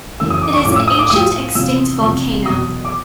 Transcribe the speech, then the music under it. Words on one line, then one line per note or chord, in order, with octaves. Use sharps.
It is an ancient, extinct volcano.
F#2 C#3 E3 E6
D#6
D6
C#6
A2 F3 D6
E6
D#6
D6
A2 F3 D#6
E2 C3 F3 E6
E2 C3 F3
E2 B2 F#3 D#6
D6